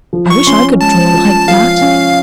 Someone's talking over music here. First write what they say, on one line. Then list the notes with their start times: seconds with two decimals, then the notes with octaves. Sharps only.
I wish I could draw like that.
0.13 F3
0.30 C#6
0.47 C#4 C6
0.80 G#3 A5
1.14 F3
1.48 F3 F5
1.81 C#4